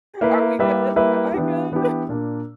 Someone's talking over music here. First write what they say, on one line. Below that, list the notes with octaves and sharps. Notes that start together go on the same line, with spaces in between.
Are we good? Am I good?"
A#3 E4 B4
G3 A#3 E4 B4 E5
G3 A#3 E4 B4 E5
E3 B3 D4 G4
E3 B3 D4 G4
A#2 A#3 D4